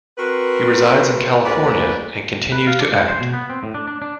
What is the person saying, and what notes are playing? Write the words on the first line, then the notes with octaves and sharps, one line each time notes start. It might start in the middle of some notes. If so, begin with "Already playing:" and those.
He resides in California and continues to act.
C4 F#4 A#4 B4
D2 G#2 A#3 B4 C#5 D5
B4
F5
D4
G#3
C5
B2
B3
C4
A2
D4
D4
D4